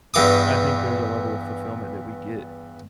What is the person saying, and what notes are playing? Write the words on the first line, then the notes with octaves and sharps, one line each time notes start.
I think there's a level of fulfillment that we get
E2 G2 E3 D6 D#6